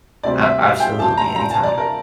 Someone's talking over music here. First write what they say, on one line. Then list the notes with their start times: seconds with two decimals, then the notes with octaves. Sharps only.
A absolutely, anytime.
0.23 D2 C3 G3 C4 D5
0.42 E5
0.62 F5
0.80 G5
0.99 A5
1.17 A#5
1.36 A#5
1.50 A5
1.63 D5
1.78 A#4